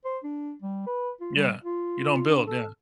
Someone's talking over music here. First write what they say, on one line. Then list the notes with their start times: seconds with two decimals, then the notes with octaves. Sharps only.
Yeah, you don't build, yeah.
0.05 C5
0.24 D4
0.62 G3
0.86 B4
1.21 F4
1.36 G3
1.64 F4
2.29 D4
2.47 A4